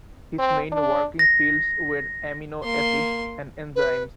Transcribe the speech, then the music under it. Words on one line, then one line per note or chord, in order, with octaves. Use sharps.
His main working fields were amino acids and enzymes.
C4
D4
A#6
A#3 C6
B4